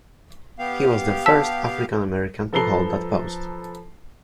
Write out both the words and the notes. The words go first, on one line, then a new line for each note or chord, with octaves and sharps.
He was the first African American to hold that post.
B3 G4 F5
A5 E6 B6
F3 A4 B4 A#5 C7 G7